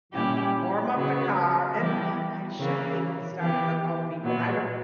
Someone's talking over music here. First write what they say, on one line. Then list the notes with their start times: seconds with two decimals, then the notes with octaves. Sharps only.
Now warm up the car, and, ah, I should be able to start it remotely, but I don't
0.13 A#2 G3 C#4 E4 G4
0.95 C#3 F#3 B3 F#4
1.76 E3 G3 B3 E4 G4
2.58 C#3 E3 A#3 C#4
3.40 E3 B3 E4 G4
4.22 A#2 F#3 B3 F#4